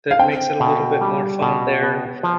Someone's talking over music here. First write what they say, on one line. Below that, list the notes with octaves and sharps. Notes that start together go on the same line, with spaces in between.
that makes it a little bit more fun there.
F5
C4 G5
B2
G3
B2
B3
F3